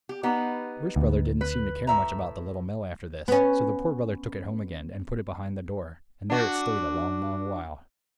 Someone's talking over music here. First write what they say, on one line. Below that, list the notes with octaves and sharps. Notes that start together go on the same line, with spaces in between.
The Rich Brother didn't seem to care much about the Little Mill after this, so the Poor Brother took it home again and put it behind the door; and there it stayed a long, long while.
G4
B3 D#4 G4
D2
B4
A2 E5 A#5
B3 C#4
D4 F#4